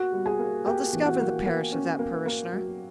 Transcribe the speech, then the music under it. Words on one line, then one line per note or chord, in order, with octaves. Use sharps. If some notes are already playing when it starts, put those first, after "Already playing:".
I'll discover the parish of that parishioner.
Already playing: A#3 F#4 F#5
G3
G#4 G#5
A#3
A#3 G4 G5
E3
F#4 F#5
A#3
A#3
C#4
A#3
A#3
F#3